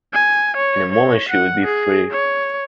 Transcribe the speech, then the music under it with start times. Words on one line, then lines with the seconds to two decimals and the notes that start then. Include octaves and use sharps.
In a moment she would be free.
0.13 G#5
0.57 C#5
0.93 C#5
1.29 F#5
1.64 G#4
2.11 C#5